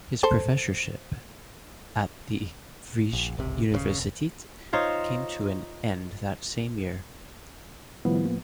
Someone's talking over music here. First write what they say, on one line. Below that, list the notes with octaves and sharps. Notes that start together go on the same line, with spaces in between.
His professorship at the Vrije Universiteit came to an end that same year.
A4 C5
A#1
D1 G#1 C#2 C3
D#1 G#2 C#3
E1
D#4 F4 C5 C#5
A2 D#3 F3 G3 B3 E4
A#3